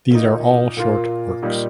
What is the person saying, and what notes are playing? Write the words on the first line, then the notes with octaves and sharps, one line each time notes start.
These are all short works.
A#2 A#3 D#4
A#2 A#3 F4
A#2 G3 D#4